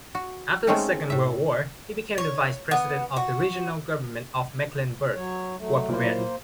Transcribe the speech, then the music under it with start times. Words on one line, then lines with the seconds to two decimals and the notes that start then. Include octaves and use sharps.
After the Second World War, he became the Vice President of the Regional Government of Mecklenburg-Vorpommern.
0.15 F#4
0.67 G#3 A3 C4 C#4 D#4 A#4
1.10 A2 E5
2.18 C#5
2.71 B3
3.16 F#4
5.14 F#3 C#5
5.58 F#3 A3
5.89 A#2 F#3 A#3 E4 C5